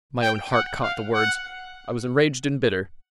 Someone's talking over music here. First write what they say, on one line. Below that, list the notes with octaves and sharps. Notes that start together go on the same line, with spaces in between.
My own heart caught the words. I was enraged and bitter.
G5
F#5
F5
F#5